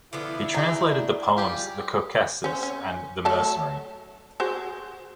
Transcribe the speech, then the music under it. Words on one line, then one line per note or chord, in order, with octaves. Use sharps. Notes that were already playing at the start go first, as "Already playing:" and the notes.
He translated the poems "The Caucasus" and "The Mercenary".
D3 F3 B3 E4
D4 D#4 F#4 G#4
G3 F4 G4 G#4
C#4 C5
C#4
F#3 A3 A5
F#4 G#4 C5